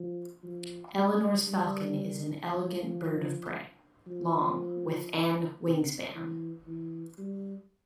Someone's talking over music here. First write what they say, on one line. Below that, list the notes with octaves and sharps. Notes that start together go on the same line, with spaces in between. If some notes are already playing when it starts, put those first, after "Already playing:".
Eleonora's falcon is an elegant bird of prey, long with an wingspan.
Already playing: F3
F3
G3
G3
F3
F3
C3
E3
E3
G3